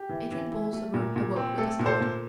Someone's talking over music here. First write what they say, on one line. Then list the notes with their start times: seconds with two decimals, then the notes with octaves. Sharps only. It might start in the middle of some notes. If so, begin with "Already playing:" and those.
Adrian Borlsover awoke with a start.
Already playing: G4
0.09 E3
0.31 E3
0.52 E4
0.73 A3
0.94 A#2
1.16 A#2
1.36 C4
1.58 A3 A4
1.79 A#2
1.86 A4 C5
2.00 A#2